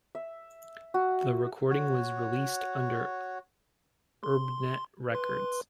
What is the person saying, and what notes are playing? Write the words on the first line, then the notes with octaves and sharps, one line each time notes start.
The recording was released under Urbnet records.
E5
F#4
F#4 C#5
C6
B4 C6